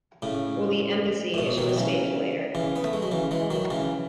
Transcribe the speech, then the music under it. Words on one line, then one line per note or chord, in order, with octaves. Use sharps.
Will the embassy issue a statement later?
A2 C#3
A2
G#2 B2
B2 D#3
F#3
C#3 E3
C#3 E3
B3
A3
G#3
F#3
C#3 E3
E3 G#3
D#3 F#3
C#3 E3